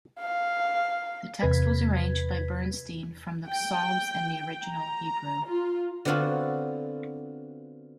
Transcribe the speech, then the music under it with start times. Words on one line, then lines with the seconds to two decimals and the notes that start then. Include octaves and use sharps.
The text was arranged by Bernstein from the psalms in the original Hebrew.
0.20 F5
1.41 E2 C3 B4 G#6 B6
3.49 G5
4.66 A#5
5.46 F4
6.05 D3 B3 C4 F4 F#4 A4